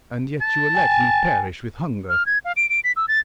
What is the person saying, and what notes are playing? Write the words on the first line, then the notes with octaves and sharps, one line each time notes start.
"And yet you will let me perish with hunger?"
A5
G5 G#5
F6
G#6
F5
D7
D7
B6
E6
A6